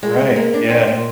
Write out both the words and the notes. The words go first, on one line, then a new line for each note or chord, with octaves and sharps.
Right. Yeah.
G#3
G#3
A#3
D4
C4
A#2